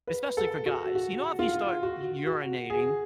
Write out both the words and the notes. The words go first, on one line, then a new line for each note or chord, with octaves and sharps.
especially for guys. You know, if you start u urinating
B4
A4
F#4
F#4
F4
F#4
F#4
G#4